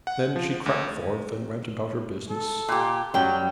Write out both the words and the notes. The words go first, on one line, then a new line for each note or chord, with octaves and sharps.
Then she crept forth, and went about her business.
F#5
F3
D2
A4
A#2 G4
F#2 F#3 G3 G5